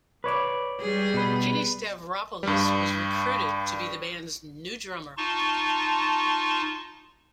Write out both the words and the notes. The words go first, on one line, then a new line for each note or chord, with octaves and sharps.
Kenny Stavropoulos was recruited to be the band's new drummer.
B4 C#5 D5
G3 G#4
B2 B4
G2 G3
D#4 F4 A5 C6 C#6